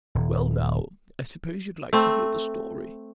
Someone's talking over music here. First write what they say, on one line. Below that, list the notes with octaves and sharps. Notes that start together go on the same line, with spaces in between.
"Well, now, I suppose you'd like to hear the story."
D#1
A3 C4